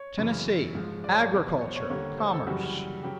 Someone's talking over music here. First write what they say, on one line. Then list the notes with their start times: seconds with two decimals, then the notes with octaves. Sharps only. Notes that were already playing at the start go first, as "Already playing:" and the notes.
Tennessee--Agriculture, Commerce.
Already playing: C#5
0.18 F#2 C#3 E3
0.75 G#2 F3 G#3
1.04 D5
1.12 C#5
1.20 D5
1.32 E2 B2 F#3
1.61 C#5
1.69 C5
1.76 C#5
1.90 D#2 D3 G3 A#3 C#5
2.18 C5
2.33 A4
2.46 F#2 C#3 E3 G3 F#4
3.03 C#3 F#3 G4